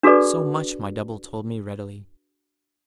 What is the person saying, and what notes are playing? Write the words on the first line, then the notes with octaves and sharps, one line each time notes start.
So much my double told me readily.
D4 F#4 G#4 A4 B4 D5